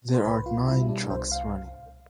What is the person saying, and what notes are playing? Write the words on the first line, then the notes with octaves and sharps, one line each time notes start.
There are nine trucks running.
C5
C2 B4
F4
B2 G3 E4
D4
C2 C5
F5